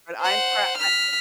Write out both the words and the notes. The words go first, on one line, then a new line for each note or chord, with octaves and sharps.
But I'm prou I
C5 F#5
F6 B6